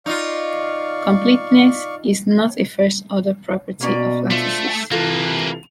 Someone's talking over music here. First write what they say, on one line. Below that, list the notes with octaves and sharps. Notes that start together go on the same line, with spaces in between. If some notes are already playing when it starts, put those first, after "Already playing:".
Completeness is not a first order property of lattices.
D#4 F4 D5 F5 C#6
B2 A#3 C#4 D5
A3 D4 F4 C5
C3 E3 A#3 F4 A4 B4